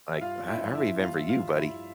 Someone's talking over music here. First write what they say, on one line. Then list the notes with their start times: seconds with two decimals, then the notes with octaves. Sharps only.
like, "I I remember you, buddy."
0.15 E5
0.21 G2 F4 F5
0.48 E4 E5
0.61 F3
0.75 E4 E5
1.02 G2 F4 F5
1.17 E5
1.29 F4 F5
1.42 G2
1.55 E4 E5